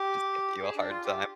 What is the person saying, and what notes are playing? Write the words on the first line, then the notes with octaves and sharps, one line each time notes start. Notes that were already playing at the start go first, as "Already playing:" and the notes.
just give you a hard time.
Already playing: G4
G#4
D4
F4
G4